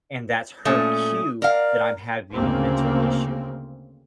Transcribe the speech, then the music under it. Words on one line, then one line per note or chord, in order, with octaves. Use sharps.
And that's her cue that I'm having a mental issue,
A#2 A3 C#4 D#6
A#4 D5 F5
D2 C#3 A#3 C4